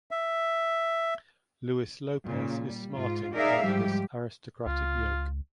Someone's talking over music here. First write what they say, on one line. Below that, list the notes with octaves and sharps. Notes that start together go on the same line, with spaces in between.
Luis Lopez is smarting under this aristocratic yoke.
E5
A#2 C#3
G3
G#2 F4
D#4 G#4 A#4 D5 E5 F5
G#2 F3 G3 G4
C#2 F4